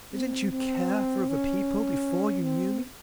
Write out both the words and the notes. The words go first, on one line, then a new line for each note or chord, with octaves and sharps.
Didn't you care for other people before you knew me?
C4
C4
C#4
C4